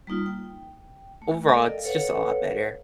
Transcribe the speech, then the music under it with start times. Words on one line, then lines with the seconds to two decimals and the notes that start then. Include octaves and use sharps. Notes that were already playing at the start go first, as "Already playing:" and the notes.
Overall, it's just a lot better,
0.07 G3 A#3 D#4 F4
0.26 G5
1.22 A3
1.47 A4 A#4 D5 D#5 F5 G5
1.84 A4 B4 C#5 F5 F#5